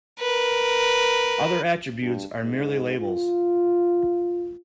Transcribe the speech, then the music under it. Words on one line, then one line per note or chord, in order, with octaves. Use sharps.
Other attributes are merely labels.
A#4 B4
G2
G#2
F4